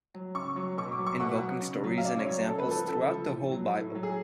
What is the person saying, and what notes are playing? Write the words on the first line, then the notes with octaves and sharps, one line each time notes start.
Invoking stories and examples throughout the whole Bible.
F#3
C#3 C#6
F#3
B2 C#6
D6
F#3
C#6
B2 F#5
F#3
C#3
F#3
F5
C#3 D5
C#5
F#3
C#3 A4
B4
F3 A4
C#3 A4
F3
A2
F#3
A2
F#3
G#4